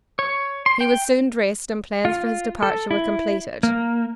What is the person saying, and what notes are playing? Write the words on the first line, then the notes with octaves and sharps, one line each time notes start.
He was soon dressed and plans for his departure were completed.
C#5
C6
G5
F4
A4
E4
A#3